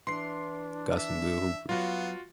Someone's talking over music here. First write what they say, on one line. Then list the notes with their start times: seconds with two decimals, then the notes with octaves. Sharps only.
Got some good hoopers.
0.07 E3 D4 C6 C7
0.98 E5
1.69 F#3 B3 F4 F#4 F5